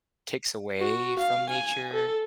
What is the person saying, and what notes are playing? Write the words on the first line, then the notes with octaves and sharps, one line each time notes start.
takes away from nature?
F#4
F5
G#5
A4